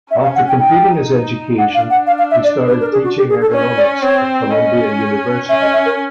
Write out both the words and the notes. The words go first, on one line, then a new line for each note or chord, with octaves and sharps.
After completing his education, he started teaching economics at Columbia University.
C#4 E5
F5
F#5
G5
D#4 G5
D4 F#5
F5
F#5
F5
F5
E5
D5
B4
A#4
G#4
F#4
G4
G#4
A4
C#4 C#5
D5
C4 C#5
C#4 D#5
C#4 E5
D#5
E5
A#4